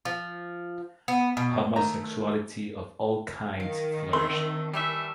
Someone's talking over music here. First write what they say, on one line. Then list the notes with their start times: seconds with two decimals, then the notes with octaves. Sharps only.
Homosexuality of all kinds flourished.
0.05 F3
1.08 B3
1.37 B2
1.76 D#3 A3 A#5
3.60 D#3 F5
4.13 A3 C4 C6
4.74 E3 G3 A3 G4 E5